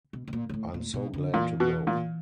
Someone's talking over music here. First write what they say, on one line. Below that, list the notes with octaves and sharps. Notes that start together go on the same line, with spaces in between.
I'm so glad to go!
B2
B2
A#2
A#2
A2
A#2
B2
D3
A#2 E3
B2
A#2